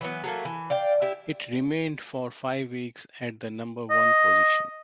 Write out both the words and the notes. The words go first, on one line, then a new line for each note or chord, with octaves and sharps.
It remained for five weeks at the number-one position.
E3 F#3 B3
F#3 A3 A#3
E3
D5 F5 G5
E4 G4 E5
D#5